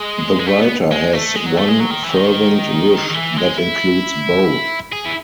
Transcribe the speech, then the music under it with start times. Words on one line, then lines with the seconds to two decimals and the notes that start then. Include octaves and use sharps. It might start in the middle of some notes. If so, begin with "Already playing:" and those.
The writer has one fervent wish that includes both.
Already playing: G#3
0.40 G#3
0.46 A3
0.61 B3
0.91 G#3
1.13 A3
1.36 G#3
1.46 F#3
1.57 A3
1.69 G#3
1.80 F#3
1.91 D#3
2.03 E3
2.14 D#3
3.10 D#3
3.14 E3
3.37 G#3
3.58 E4
4.92 G#4
5.05 E4